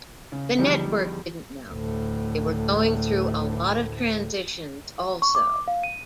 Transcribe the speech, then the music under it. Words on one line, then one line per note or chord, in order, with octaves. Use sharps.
The network didn't know, they were going through a lot of transitions also.
C#3
E2 D3 F3 G3 D#4 G#4
D2 A2
C#6
D6
F5
D#7